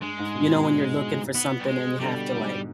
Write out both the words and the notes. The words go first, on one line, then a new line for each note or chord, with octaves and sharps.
you know, when you're looking for something and you have to like
G2 G#3
G#2
G2 B2
G2 B2
B3
G3
G#3
B2 D3 G3
G#2